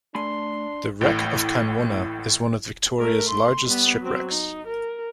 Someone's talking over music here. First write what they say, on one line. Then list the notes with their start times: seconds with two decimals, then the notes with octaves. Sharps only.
The wreck of "Kanwona" is one of Victoria's largest shipwrecks.
0.15 A3 D4 G#5 B5 C6
1.01 A1 A2
2.99 A3 A#4
3.30 C6
3.67 G3 B3
4.00 F#3 C4
4.30 D#4
4.67 A#4